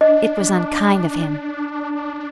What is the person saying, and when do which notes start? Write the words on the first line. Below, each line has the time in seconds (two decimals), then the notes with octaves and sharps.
It was unkind of him.
0.01 D4 D#5